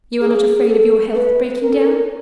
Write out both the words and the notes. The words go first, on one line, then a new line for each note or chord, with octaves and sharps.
"You are not afraid of your health breaking down?"
G#4
G#4
A4
B4
A#4
A4
A#4